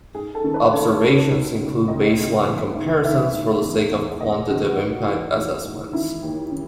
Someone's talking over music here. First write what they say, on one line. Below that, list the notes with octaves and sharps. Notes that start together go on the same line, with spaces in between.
Observations include baseline comparisons for the sake of quantitative impact assessments.
G#2 G#4
A4
D#3
B4
D#3 C#5
G#2
C#2
B2
C#2 D#5
B2
E3
G#2
E3 E5
G#2
E2
E2
E2 D#5
D#3 F#4
G#2
E3
E3
G#2
D#3 E4
D#2
D#3